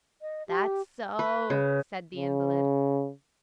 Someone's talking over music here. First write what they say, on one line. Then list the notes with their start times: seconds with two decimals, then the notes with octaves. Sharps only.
"That's so," said the invalid.
0.22 D#5
0.48 G4
1.19 B4
1.50 C#3
2.16 C#3